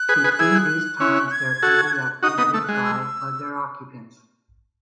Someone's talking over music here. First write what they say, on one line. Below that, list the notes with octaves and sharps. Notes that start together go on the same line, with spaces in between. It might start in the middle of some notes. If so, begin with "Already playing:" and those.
Between these times there could be activity by other occupants.
Already playing: F#6
G#4 B4
G#4 B4
E4 G#4 G#6
F#6
C#4 E4
G#6
F#4 A4
F#6
D#4 F#4 D#6
B3 D#4
A3 E6
F#6
G#3
F#6
E6